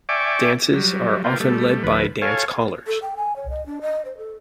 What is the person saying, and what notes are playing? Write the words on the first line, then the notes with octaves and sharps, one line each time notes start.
Dances are often led by dance callers.
D5 E5 G5 G#5 C#6 D6
F#3 G3
A#3 B3 F4 G5
G3 A3
D2 F3 B4
A4 C#5 F5 G#5
A4
G5
G#5
C#5
D#5
D4
D#5
C5
A4